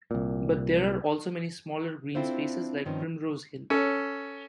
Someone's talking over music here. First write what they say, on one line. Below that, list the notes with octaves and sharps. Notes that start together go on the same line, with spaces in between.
But there are also many smaller green spaces, like Primrose Hill.
C2 A#2
C4 D4 E4 F4 A4 C5
G2 D#3 F3 C4 C#4
C#4 A4